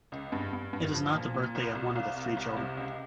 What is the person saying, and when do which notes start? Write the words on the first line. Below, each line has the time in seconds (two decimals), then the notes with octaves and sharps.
It is not the birthday of one of the three children.
0.12 C#2
0.32 G2
0.53 G2
0.73 G2
0.94 F3
1.14 A#2
1.34 A#2
1.55 C2
1.75 C2
1.95 C2 F5
2.16 C3
2.37 C2
2.57 C3
2.77 C#2